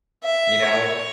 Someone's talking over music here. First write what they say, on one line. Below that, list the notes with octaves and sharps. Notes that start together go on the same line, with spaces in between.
You know,
E5
C#5